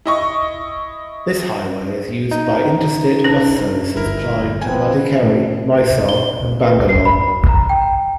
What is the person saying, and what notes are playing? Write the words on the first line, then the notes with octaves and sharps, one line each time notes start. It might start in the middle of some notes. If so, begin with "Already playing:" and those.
This highway is used by interstate bus services plying to Madikeri, Mysore and Bangalore.
E4 D#5 C#6
D#4
C#4 D4 B4
G1 E4 A#4
F3 B3 C4 G#5
A2
G7
B4
C7
B5
A#5
G5